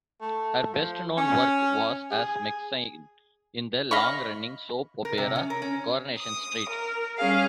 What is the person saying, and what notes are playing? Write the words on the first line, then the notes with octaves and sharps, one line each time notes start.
Her best known work was as Maxine in the long-running soap opera "Coronation Street".
A3
F3
C#4
G#4
D#5 F5 B5 C#6
A#4
C3
C#4
A#4
C#4
D#6
A#4
G3 C#4 G#4 F5